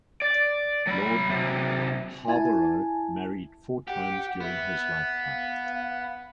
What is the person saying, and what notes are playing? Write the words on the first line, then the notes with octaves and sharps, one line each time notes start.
Lord Harborough married four times during his lifetime.
D5
F#3 B5
C3 F#3
E4 G#5 A5
G4 F#5
B3 E5
F5